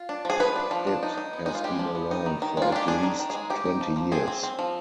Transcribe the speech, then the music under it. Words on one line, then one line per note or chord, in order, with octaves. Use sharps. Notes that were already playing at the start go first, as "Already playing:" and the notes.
It has been around for at least twenty years.
Already playing: F4
D4
F3 G#4
F3 B4
D4
F3
D4
D#4
D#4
B3
G#3 D#4
F4
G#3 G4
F3
B3
D#4
D#3
D#3
G#3 F4
D4 G4
D4 G#4
D#3
D#3
G#4
G#3
D#4 G4
D#4
F3
F3
C4 G#4
C4
C4
F3